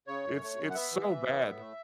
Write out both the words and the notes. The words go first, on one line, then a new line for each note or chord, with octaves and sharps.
It's it's so bad.
C#3 C#5
F#2
A3
F#2
F#5
B3 E5
E3
E3
B3
C#5
A2 E5
A3